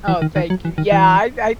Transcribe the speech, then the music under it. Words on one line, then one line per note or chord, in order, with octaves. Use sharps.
Oh, thank you. Yeah. I I
E3
D#3
D#3
F#3
E3
D#3
E3